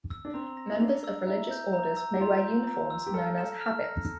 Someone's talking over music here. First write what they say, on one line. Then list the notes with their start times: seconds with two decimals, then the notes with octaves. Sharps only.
Members of religious orders may wear uniforms known as habits.
0.10 E6
0.25 D4
0.34 C4 A#5
0.57 A#6
0.71 E4
0.80 D4 F7
1.04 E6
1.27 E4 A#5
1.51 G6
1.73 A#5
1.97 E6
2.14 G4
2.21 F4 A#5
2.44 G6
2.67 A#5
2.90 E6
3.06 G4
3.14 A4 F6
3.38 E7
3.61 F6
3.84 A#6